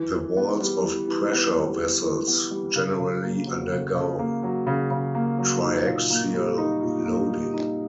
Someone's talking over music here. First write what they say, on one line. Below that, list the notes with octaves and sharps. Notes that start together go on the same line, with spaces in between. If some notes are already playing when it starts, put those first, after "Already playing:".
The walls of pressure vessels generally undergo triaxial loading.
Already playing: E3
E3
B3
G3
E3
E3
B3
G3
E3
E3
B3
G3
C#3
C#3
A#3
F#3
C#3
C#3
A#3
F#3
C#3
C#3
A#3
F#3
D#4
A#2
A#3
G3
D#4
A#2
A#3
G3
D#4